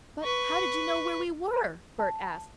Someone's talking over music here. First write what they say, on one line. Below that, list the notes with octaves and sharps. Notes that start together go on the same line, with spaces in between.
"But how did you know where we were?" Bert asked.
B4 C#6
A5